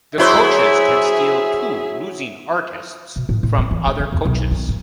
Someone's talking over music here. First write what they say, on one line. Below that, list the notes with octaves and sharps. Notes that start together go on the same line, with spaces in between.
The coaches can steal two losing artist from other coaches.
F#3 E4 G#4 C5 E5
B2
A2
A2
G3
E3
G#3
D3
E2
B1
D#3
G#2